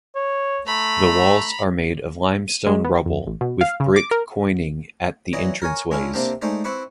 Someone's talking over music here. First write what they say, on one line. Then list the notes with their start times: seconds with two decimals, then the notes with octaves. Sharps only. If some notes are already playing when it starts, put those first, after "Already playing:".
The walls are made of limestone rubble with brick quoining at the entrance ways.
0.15 C#5
0.67 A3 A#5 B5
2.48 D#7
2.67 G#3
2.85 B3
3.06 F2
3.27 A1
3.41 B2
3.61 F5
3.80 C#3
3.96 D6
4.11 A#4
5.33 E3 F#3 D5 D#5
5.62 A#4 C#5 G#5
5.91 G#3 C#4 D4 E4 F4
6.14 C3 A#3 C4 D4 G4
6.42 G#3 A3 D#4 C5 D5
6.64 C4 E4 B4 C#6 D6